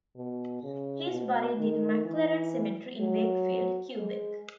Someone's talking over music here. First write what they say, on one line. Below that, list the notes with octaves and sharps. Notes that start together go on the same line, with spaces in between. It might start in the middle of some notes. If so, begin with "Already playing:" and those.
He is buried in Maclaren Cemetery in Wakefield, Quebec.
B2
C#3
B2
D#3
E3
F#3
G#3